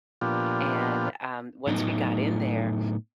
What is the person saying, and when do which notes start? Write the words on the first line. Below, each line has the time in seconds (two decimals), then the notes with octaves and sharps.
and, um, once we got in there,
0.21 A#2 F3 B3 D4 F4 G4
1.67 A2 F#3 A3 B3 D#4